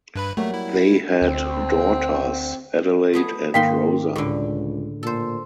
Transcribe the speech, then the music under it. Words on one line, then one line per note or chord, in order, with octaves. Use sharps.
They had daughters Adelaide and Rosa.
G2 B4 B5
F#3 G3 A3 A#3
E4
D2 C4
A3 B3 G#4
G#2 D#3 A#3 F5 G5 C6
C#2 A2 D3 G4
A#2 A4 C5